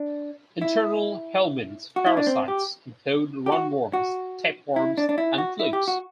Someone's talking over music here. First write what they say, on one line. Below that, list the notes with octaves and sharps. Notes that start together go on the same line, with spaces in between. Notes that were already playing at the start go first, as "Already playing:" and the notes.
Internal helminth parasites include roundworms, tapeworms and flukes.
Already playing: D4
E4
F#4
E4
D4
C4
G4
G4
F#4
F#4
E4
D4
D4
E4
F#4
E4
G4
F#4